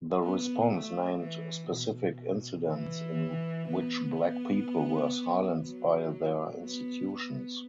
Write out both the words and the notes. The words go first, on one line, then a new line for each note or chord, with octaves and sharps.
The response named specific incidents in which Black people were silenced by their institutions.
B3
A3
E3
B2
E3
B3
F#3
B3
B3